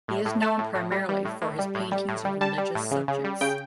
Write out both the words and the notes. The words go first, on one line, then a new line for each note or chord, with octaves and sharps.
He is known primarily for his paintings of religious subjects.
A2
A2
A3 A5
A2
A2
G3
G3
A2
A2
G3
A2
G3
A2
G3
G3 A5
G3
A2
C#3
C#3
G3
C#3 G5